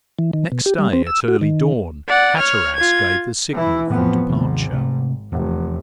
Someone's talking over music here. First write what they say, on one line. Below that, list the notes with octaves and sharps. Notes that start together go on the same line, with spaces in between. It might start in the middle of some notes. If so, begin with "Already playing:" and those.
Next day at early dawn, Hatteras gave the signal for departure.
E3
D#3
B2
G4
G3
C4
E6
F#4
D#3
D5 F#5
C#5 F6
F4 G#6
E3 E4
F2 A2 E3 F3 B3
G#1 D#2 G#2 C3 D#3
C3 A3
F1 E2